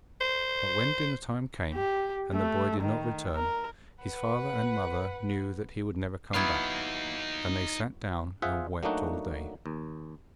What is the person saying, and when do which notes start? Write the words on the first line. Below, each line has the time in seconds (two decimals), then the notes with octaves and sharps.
But when dinner-time came, and the boy did not return, his father and mother knew that he would never come back, and they sat down and wept all day.
0.21 C5
1.73 G4
2.33 A3
2.81 D#3
3.35 A#4
4.03 B4 F#5
6.34 F#3 B3 D#4 E4 F5
8.42 F4 G#4 C5 E5 F#5
8.83 F#3 A3 A#3 D4 D#4 F#4
9.66 D#2